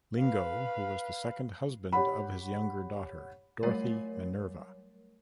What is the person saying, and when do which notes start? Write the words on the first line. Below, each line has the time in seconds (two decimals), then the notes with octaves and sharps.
Lingo, who was the second husband of his younger daughter, Dorothy Minerva.
0.19 B4 F5
1.92 G4 C#5 F#5 B5
3.63 F#3 G3 A3 A#4 C#5